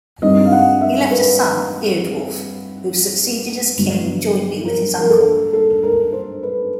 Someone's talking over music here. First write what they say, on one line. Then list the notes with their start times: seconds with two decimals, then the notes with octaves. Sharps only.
He left a son, Eardwulf, who succeeded as king jointly with his uncle.
0.22 G2 D#3 G3 C4 D#4 D#5
0.45 F5
0.52 F#5
0.81 E5
1.11 B4
3.76 G2 D3 F#3 B3
4.65 A#4
4.98 A#4
5.10 A4
5.53 A4
5.83 A#4
6.12 C5
6.43 B4